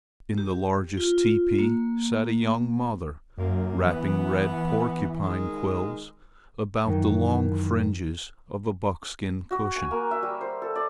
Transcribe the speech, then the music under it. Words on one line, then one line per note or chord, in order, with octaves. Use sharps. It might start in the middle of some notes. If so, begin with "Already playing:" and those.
In the largest teepee sat a young mother wrapping red porcupine quills about the long fringes of a buckskin cushion.
G4
F4
A#3
F#2 A#3
E3 B3
D#3 G#3
F#2 D#3 E3
F#4
G#5
A#3
E5
G3
C5
A4
D5